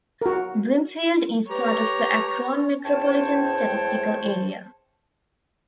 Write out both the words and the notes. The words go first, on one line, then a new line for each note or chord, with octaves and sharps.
Brimfield is part of the Akron Metropolitan Statistical Area.
F#4 A#4
G4 B4 C#5 A#5
E2 C4 C5 C#5 G5 A5